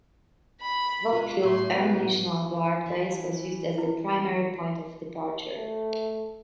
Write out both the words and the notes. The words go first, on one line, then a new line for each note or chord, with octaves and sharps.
Volk Field Air National Guard Base was used as the primary point of departure.
B5
G#3 F4
A2 C6
B3
E3
E4
A3